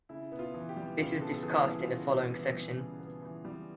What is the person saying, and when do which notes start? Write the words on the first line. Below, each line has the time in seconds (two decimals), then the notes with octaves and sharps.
This is discussed in the following section.
0.09 C#3 E4
0.32 B3
0.39 F4
0.54 E3
0.69 G4
0.76 G3
0.98 C#3 F4
1.21 B3 A4
1.34 A4
1.43 E3 G#4
1.66 G3
1.80 F4
1.88 C#3 F#4
2.10 B3
2.33 E3
2.54 G3
2.77 C#3
3.00 B3
3.22 E3
3.45 G3